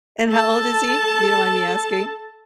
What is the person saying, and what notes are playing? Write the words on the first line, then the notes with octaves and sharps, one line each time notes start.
And how old is he? If you don't mind me asking?
A4 A5